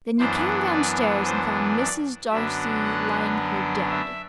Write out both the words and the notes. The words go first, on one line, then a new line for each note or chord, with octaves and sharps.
"Then you came downstairs and found Mrs. Darcy lying here--dead?"
F#2 E3 B3 D4 C5
D5
C5
D5
F#2 D3 F#3 B3 D4 E5
F#5
E5